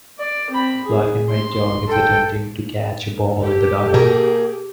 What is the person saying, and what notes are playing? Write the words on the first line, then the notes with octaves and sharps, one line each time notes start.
The black and white dog is attempting to catch a ball in the garden.
D5
C4 B5
G#4
C6
A4 G5
G4 A4
B2 A#3 G#4 A#4